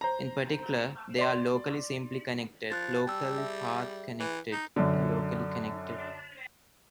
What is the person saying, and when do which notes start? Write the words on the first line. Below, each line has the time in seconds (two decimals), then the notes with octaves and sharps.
In particular, they are locally simply connected, locally path connected, and locally connected.
0.01 C5 A#5
1.18 D5 C6
2.70 F3 F#6 A6
3.07 G3 G5 A5 E6
3.35 G#4 E5
4.20 E3
4.52 D#4
4.76 F#2 D3